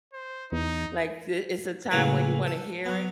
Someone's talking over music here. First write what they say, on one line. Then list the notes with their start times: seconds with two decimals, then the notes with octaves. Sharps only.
like, th it's a time where you wanna hear it
0.13 C5
0.52 E2 D#4
1.91 C#2 A2 C#3 E3 A#3 B4
2.47 A4
2.85 F#3 B3